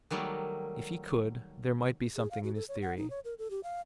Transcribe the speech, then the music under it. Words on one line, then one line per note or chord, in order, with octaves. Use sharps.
If he could, there might be something in his theory.
D#3 F#3 G3 A3 A#3
G#4
F5
F#4
A4
C#5
F#5
D#4
C#5
A#4
A4
G4
F5